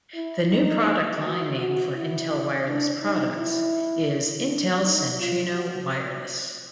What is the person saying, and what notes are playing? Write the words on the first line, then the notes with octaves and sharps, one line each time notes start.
The new product line name for Intel wireless products is Intel Centrino Wireless.
E4
D#4
F#4
F#4
E4
D4
D#4
E4
D4
D#4
F4
F#4